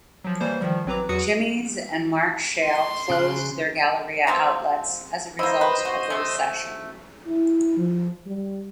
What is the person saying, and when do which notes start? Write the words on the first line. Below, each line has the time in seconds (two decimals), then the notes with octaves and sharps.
Jimmy'z and Mark Shale closed their Galleria outlets as a result of the recession.
0.24 F3 F#3
0.40 E3 G3 A#3 C5 C#5
0.61 D#3 F3 G3
0.86 A1 F#3 C4 B4 A#5 D6
1.09 E2 F#3 F#4 B4 D#6 C#7
2.64 C6
3.10 C#3 F#6
4.27 C3 F3 C4
5.39 A#3 E4 C5 D#5
5.61 B4
5.85 F#4
6.10 C3 A3
7.27 E4
7.78 F3
8.26 G3